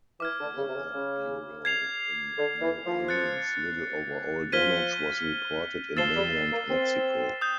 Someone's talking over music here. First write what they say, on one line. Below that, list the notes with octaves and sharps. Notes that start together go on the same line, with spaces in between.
Weather Bureau in New Orleans, little overall damage was reported in mainland Mexico.
E3 D6 F6 G#6
D3
C#3
C3
C#3
C#3
G#6 C7 F7
D3
E3
F3
F#6 A6 C#7
F3 F6 G#6 B6 D#7 G7
F3 E6 A6 C7 E7 G7
G3
A#3
C4
D#6 G6